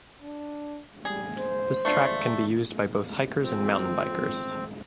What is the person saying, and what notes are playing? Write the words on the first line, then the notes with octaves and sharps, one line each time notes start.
This track can be used both by hikers and mountain bikers.
D4
G3 G#4
C5
A3 D4 F4
F2 C4